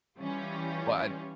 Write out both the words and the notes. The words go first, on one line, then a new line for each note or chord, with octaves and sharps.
Well, I
E3 G3 C#4 F4